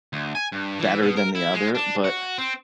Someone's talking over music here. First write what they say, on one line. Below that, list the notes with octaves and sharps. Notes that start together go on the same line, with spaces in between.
better than the other, but
D2
G#5
G2
E3
B2
A#4
E4
G#3
D4
F#4
C4